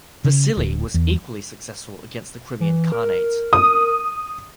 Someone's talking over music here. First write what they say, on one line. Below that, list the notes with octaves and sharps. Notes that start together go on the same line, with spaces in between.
Vasili was equally successful against the Crimean Khanate.
C#3
D1
E2
E3
A#4
D#6